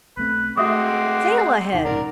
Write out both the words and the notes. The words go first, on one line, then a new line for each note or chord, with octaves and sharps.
"Sail ahead!"
B1 A3 C4 B4
G#3 A3 C4 F#4 E5 F#5 D6 D#6
D#2 C3 D#3 D#4 F#5
A#1 G#2 C#3 A#4 D5